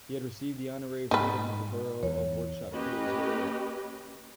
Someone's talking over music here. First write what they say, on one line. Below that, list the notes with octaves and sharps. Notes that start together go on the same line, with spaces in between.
He had received the honorary freedom of the Borough of Worksop two days earlier.
G#2 D#4 B4
E2 C#5
A#3 C#4 G4 B4 D#5